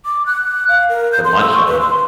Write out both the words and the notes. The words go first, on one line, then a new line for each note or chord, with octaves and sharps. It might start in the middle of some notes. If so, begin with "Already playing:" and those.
to munch on.
D6
F#6
F5
A#4
G6
C6
E6
C#6
B4
C6